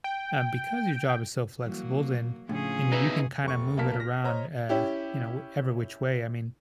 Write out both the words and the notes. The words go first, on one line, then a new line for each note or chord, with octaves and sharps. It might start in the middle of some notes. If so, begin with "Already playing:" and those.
uh, because your job is so flexible, then, you know, you can kinda move it around, eh, you know, w every which way. I mean,
G5
E3 F#3 G3 A#3 E4
A2 C#3 F3 C#4 D4 F4 G#4
B3 D#4 F#4 D5 E5 F5
F1 C#6
B1 A#3 A#4 A5 F6 B6
A#6
C5 C#5 D#5 A#5
C#4 E4 G4